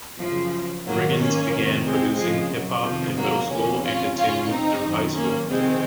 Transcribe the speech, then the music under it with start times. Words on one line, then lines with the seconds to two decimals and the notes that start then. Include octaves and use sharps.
Riggins began producing hip hop in middle school and continued through high school.
0.20 F#2 C#3 F3
0.86 G#2 D#3 F#3 A#3
1.19 A#3 C#4
1.53 F2 C3 D#3
1.85 G#3 C4
2.17 F#2 C#3 F3 G#3
2.51 F#3
2.84 F2 C3 D#3 F3
3.17 F#3 A#3
3.50 F2 C#3 A#3 C#4
3.82 C#4 F4
4.16 F#2 C#3 C#4 F4
4.48 C4 D#4
4.81 F#2 D#3
5.14 A#3 C#4
5.47 F2 C3 D#3 G#3 C4